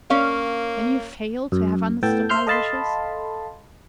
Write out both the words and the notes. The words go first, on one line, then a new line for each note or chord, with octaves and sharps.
Can you fail to have understood my wishes?
A#3 C#4 F5
F#2
A2 B3 A4 G5 A5
C5 E5 C6 F6 G6
A4 D#5 F5 A5 B5 C6